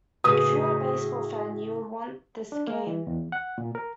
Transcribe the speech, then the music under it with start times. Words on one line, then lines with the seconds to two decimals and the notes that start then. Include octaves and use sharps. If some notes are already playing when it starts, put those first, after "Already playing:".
If you are a baseball fan, you will want this game.
0.24 A2 C#3 F#4 G#4 B4 D#6
2.52 D4
2.68 A#3
2.87 E3
3.07 E2
3.32 F#5
3.58 A#2
3.75 A#4